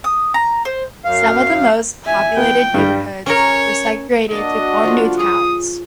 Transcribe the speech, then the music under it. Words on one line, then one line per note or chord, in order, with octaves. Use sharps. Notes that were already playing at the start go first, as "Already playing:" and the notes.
Some of the most populated neighborhoods were segregated to form new towns.
D#6
A#5
C5
F#2 F5
E5 G#5
B3 G5
G2 G3
C#4 A#4 C#5
A#3 D4 F#4 D#5 A5
F3 A3 F4
G#4 C#5 C#6 D#6